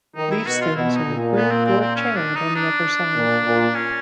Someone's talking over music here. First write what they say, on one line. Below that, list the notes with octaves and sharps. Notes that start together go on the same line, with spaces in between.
Leaf stems are grooved or channeled on the upper side.
D#3 D#4
E4
B2 F#4
F4
B2 E4
D#4
A#2
B3
C4
C4
C4
C#4
D4
D#4
D4
A#2
A#2
C#4